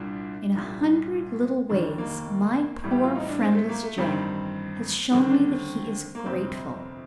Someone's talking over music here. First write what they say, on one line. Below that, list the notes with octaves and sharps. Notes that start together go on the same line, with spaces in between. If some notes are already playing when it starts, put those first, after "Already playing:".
In a hundred little ways my poor friendless Jack has shown me that he is grateful.
Already playing: C2 A#2 G3 D4
C2 A#2 G3
F1 D#2 D#3 D4
A#3
A1 A2 G3
G4
F4
D#4
D4
C4
A3
A#3
A3
A1 G2 D#3 G3 C4
D#2 D3 G3 C4
C4
D4
C4
A#3
G1 F2 C3 C4